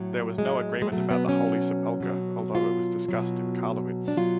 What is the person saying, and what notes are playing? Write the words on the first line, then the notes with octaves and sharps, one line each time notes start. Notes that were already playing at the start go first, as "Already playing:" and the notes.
There was no agreement about the Holy Sepulchre, although it was discussed in Karlowitz.
Already playing: A2 F#3
G#3
G#3
B2 F#3 A3
B3
C#4
B2 F#3
F4
B2 F#3
D4
B2 F#3 F4